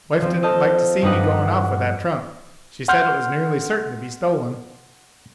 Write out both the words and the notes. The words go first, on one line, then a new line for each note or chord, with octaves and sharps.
"Wife didn't like to see me going off with that trunk--she said it was nearly certain to be stolen."
F3 C4
A4 D#5 A5 F6 G6
G2 G3 D#4 B4 D#5 F#5
F#5 C6 F6 G6